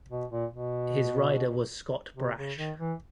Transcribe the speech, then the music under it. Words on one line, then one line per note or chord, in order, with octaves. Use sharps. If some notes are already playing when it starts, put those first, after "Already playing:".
His rider was Scott Brash.
B2
A#2
B2
C3
C#3
D#3
E3